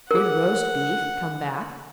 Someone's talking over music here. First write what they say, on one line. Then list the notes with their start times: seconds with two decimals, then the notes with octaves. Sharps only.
Could roast beef come back?
0.11 G#4 A#4 F#5